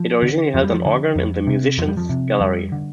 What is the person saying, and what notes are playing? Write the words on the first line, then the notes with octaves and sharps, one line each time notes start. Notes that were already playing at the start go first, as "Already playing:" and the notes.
It originally held an organ in the musicians gallery.
Already playing: F3
D3
F2 F3
G3
F3
D3
F2
C3
F2 F3
G3
F3
C3
F2 G3
D3